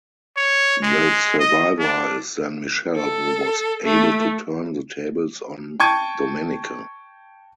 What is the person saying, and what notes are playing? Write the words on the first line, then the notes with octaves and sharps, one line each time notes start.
The survivor is then Michele who was able to turn the tables on Domenica.
C#5
G#3
D#5
D4
A4
A3
G5 A5 C#6 G#6 D#7